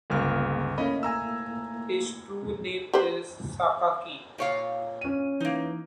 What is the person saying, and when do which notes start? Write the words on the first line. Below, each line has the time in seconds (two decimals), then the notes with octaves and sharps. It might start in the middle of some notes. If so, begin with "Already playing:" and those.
His true name is Sakaki.
0.10 G1 C#2 A#3 G#4 F6
0.78 A3 A#3 C#4 E4 D#5 B5
1.03 G#5 A#5 E6
2.93 G4 B4 C5
4.38 A#2 C#5 F5
5.01 C#4 D#7
5.40 E3 A#3 D#4